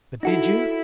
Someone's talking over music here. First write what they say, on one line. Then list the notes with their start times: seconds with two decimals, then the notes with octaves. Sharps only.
"But did you?"
0.23 D#4 E4 F#4 A4